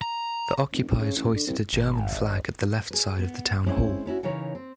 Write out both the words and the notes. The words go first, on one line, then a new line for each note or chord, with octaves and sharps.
The occupiers hoisted a German flag at the left side of the Town Hall.
A#5
F1
D#1
C#3
A1
D3
C2
G#1
G#4 B4
B3
G#3 C4 C#4 E4
B3 C#4 E4 F#4
C#3 E3 D#4 A#4 C#5
C4